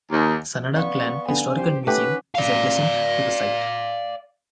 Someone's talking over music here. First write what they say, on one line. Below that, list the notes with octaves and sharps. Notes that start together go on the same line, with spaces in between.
Sanada clan Historical Museum is adjacent to the site.
D#2
B3 D5 F5 C6 C#6
D3 B3 G#5
G4 C5
A3 C#4 D#4 G4 B4 F#5 D6
D5 F5